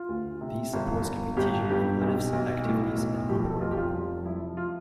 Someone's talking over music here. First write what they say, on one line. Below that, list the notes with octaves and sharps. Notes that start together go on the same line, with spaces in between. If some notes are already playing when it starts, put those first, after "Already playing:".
These supports can be teaching manipulatives, activities, and group work.
Already playing: F4
D2
C3
G1
G1
G1 G4
G2 G4
B1
B1
A2
B1
F3 G4
A4
F1 F4
G4
F4
F3 F4
F3 E4
F4